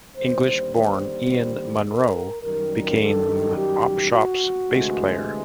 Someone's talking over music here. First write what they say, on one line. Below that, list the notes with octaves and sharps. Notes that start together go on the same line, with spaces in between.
English-born Ian Munro became Opshop's bass player.
D#2 D3 G3 C5
C5
A#4
F#2 D#3 G3 A#4
A4
G4
F#4
D2 C3 E3 G#3